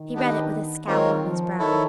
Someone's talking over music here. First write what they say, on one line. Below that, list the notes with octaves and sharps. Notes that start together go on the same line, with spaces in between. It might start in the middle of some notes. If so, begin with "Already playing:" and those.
He read it with a scowl on his brow.
Already playing: D#3
B3 D4 G4 B4 D#5
D#3 G#3 C4 F4 A#4 C#5
F3
D#3 E4 A4 C#5